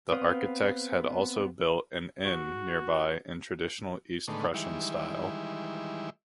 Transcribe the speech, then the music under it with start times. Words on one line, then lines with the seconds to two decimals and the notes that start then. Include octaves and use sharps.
The architects had also built an inn nearby in traditional East Prussian style.
0.12 B3 C4 B4 F5 D#6
2.25 F#4
4.28 A2 D3 D#3 G#3 A3 B3
4.54 D#3 E3 G3 G#3 E4